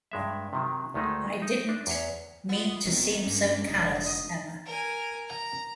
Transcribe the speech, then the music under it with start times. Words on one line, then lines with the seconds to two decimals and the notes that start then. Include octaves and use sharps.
I didn't — mean to seem so callous, Emma.
0.12 G2 G#3 E5
0.53 C3 D#3 F#3
0.94 D2 D#3 G#3 A3 D#4
1.42 D#4
1.69 D4
1.87 E2 C#5
2.49 B3 F4
2.85 E1 E2 D#3 E3 C4
3.23 G2 G#3 A#3 C#4 D4
3.67 F1 D#4
4.06 D#5
4.65 A#4 G#5
5.27 A#5